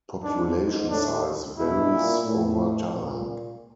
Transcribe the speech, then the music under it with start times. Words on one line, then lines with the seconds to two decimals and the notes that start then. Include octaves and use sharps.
Population size varies over time.
0.23 G#2 D4
0.57 G#2
0.90 A2 D4
1.57 B2 E4
1.90 A#2
2.25 A2
2.92 A#2